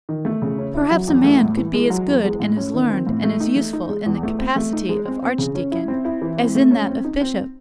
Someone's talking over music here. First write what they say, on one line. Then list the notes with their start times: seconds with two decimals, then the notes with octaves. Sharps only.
Perhaps a man could be as good and as learned and as useful in the capacity of archdeacon as in that of bishop.
0.09 D#3
0.25 A3
0.42 C#3
0.58 C#4
0.74 E4
0.91 F#3
1.08 E2
1.24 A3
1.41 A2
1.57 E3
1.74 G#3
1.90 F#3
2.07 E2
2.24 G#3
2.40 A2
2.57 C#4
2.74 D#3
2.90 C4
3.07 A2
3.24 A3
3.40 D#4
3.56 A3
3.73 D#4
3.89 G#3
4.06 E2
4.23 A3
4.39 C4
4.56 A3
4.73 D#4
4.89 G#3
5.05 C4
5.23 C4
5.38 C#3
5.55 C#4
5.72 E4
5.88 C4
6.05 E4
6.22 E3
6.37 C4
6.55 A3
6.71 C#4
6.88 C4
7.04 D#4
7.21 C4